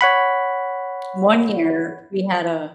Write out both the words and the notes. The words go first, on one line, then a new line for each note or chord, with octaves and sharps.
One year we had a
C#5 F#5 B5